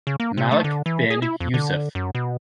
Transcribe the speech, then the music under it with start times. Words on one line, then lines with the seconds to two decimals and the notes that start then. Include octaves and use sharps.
Malek bin Yusuf.
0.07 C#3
0.20 A#3
0.37 C3
0.51 A3
0.64 D3
0.86 E3
1.10 G#4
1.22 E4
1.40 F2
1.54 D3
1.95 F#2
2.15 B2